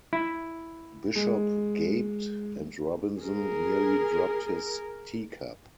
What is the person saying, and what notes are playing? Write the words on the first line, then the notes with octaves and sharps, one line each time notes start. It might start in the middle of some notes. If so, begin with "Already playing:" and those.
Bishop gaped, and Robinson nearly dropped his teacup.
E4
G#3
G#4 A#4